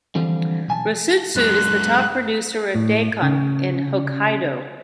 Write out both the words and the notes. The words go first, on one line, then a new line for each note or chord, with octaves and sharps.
Rusutsu is the top producer of Daikon in Hokkaido.
D3 E3 F3 G3 C4
B1 G#5 A5
F#2 G#3 F#6
A2
C#3